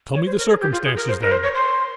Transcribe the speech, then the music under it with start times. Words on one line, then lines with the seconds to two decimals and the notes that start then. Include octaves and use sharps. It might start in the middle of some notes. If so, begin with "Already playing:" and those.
"Tell me the circumstances, then."
0.15 C#5
0.26 C5
0.38 A#4
0.49 G#4
0.61 G4
0.72 F4
0.84 G#4
0.96 A#4
1.08 C5
1.21 A#4
1.32 C5
1.43 C#5
1.55 C6